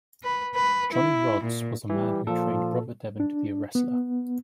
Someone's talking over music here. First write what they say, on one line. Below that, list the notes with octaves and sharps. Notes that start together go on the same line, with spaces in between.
Johnny Rodz was the man who trained Brother Devon to be a wrestler.
B4
B4
E4
A#2
E3 G3
A#2 F3 A4
D4
B3